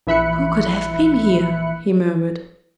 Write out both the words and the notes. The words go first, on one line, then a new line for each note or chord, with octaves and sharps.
"Who could have been here?" he murmured.
A#1 E3 E5 B5 F#6 C#7